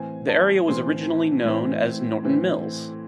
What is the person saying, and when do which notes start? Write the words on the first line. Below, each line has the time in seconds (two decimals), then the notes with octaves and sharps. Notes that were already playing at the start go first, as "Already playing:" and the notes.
The area was originally known as Norton Mills.
Already playing: A2 E3 C4 G#5
0.29 A5
0.68 A2 E3 C4 C6
1.45 A2 E3 C4
2.23 A2 E3 C4